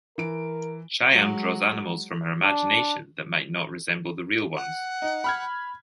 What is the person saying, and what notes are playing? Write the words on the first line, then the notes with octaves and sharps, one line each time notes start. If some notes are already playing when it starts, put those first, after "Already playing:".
Shyam draws animals from her imagination that might not resemble the real ones.
E3 A#4 D7
F#3 G#3
D4
F#5
D#4
B5 F6 G#6